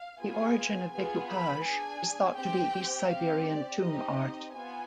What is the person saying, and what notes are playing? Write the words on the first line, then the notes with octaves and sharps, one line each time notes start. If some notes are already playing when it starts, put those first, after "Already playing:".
The origin of decoupage is thought to be East Siberian tomb art.
Already playing: F5
B3 F4 G#4 G#5
B3 F4 G#4 G#5
B5
D4 G#4 G#5
C4 G4 G5
C4 G4 F5
D5
C4 D#4 G4 D#5
B3 F4 G#5